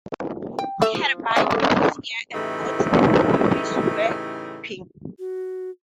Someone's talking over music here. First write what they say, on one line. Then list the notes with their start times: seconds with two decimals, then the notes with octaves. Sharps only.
He had a bite on his ear, and both the puppies were limping.
0.59 G5
0.82 A3 E5
0.95 F3
1.37 C#3 B3 E5
1.51 D3
2.34 A2 C#3 E3 A3 D#4 G4
5.19 F#4